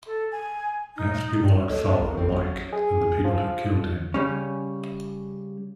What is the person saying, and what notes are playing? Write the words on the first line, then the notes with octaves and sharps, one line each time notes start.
We have to be more like Father Mike than the people who killed him.
A4
G#5
D#4
D2 A4 C#5 D#5
D4
A1 A#4
C4 A4
F#3 C#4
G#4
F3
C#3 G3 C#4